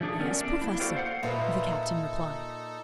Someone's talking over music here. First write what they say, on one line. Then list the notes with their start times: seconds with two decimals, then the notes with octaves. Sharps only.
"Yes, professor," the captain replied.
0.01 F3 A3 D4 G#4 A4
0.19 A3 B3 C#4 A#4 C5 D5
0.41 D4
0.62 A#3 B3 E4
0.80 F#4 A4 C5 D5 F5 G5
0.95 C5 F5 F#5
1.23 A#2 A#3 D#4 A4 B4 E5